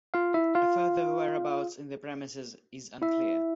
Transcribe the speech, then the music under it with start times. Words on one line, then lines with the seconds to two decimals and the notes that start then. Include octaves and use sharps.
A further whereabouts in the premises is unclear.
0.14 F4 F5
0.34 E4 E5
0.55 F4 F5
3.02 E4 E5